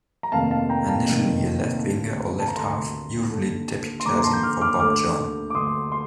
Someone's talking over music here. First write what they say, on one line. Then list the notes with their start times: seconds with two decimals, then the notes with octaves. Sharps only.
Initially a left-Winger or left-half, usually deputising for Bob John.
0.23 A#5
0.32 F1 D#2 D#3 F5 A5
0.51 F5 A5
0.69 G5 A#5
0.88 F5 A5
1.07 F1 D#2 D#3
1.82 D2 D3
2.40 A5
2.48 A#5
2.56 D2 D3 A5 C6
3.31 D#2 D3
4.00 C6
4.05 D#2 A#5 D6
4.10 D3
4.18 A#5
4.24 A5 C6
4.33 G6
4.43 D6 F6
4.61 D6 F6
4.80 D2 D3 D6 F6
5.50 D6
5.54 D2 D3 C6 D#6
5.92 C6